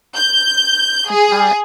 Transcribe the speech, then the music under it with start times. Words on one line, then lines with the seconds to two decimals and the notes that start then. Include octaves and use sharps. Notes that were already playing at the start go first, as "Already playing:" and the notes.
It's not
0.16 G6
1.10 G#4